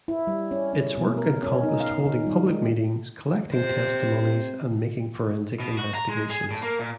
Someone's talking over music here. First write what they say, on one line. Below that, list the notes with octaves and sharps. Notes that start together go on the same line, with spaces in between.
Its work encompassed holding public meetings, collecting testimonies, and making forensic investigations.
E4
G3
C#4
C#4
B2
A#4
C#4
D#4
F5
D#3
G3
G#3
C3 C4 C5
B2
F#4
A#5
G#3
G#4
A2
A#3
A#2